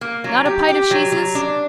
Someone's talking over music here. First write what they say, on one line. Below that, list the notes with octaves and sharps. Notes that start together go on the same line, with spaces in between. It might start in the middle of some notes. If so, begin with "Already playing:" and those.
Not a pite of sheeses?
A#3
F#3
G4
G4
F#3
F#3
D4